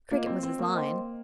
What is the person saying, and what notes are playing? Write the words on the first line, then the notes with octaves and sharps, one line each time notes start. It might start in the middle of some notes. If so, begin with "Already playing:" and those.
Cricket was his line.
A#3 F4 A#4 D#5
C4
C4
A#3
C5 D#5 G5 C6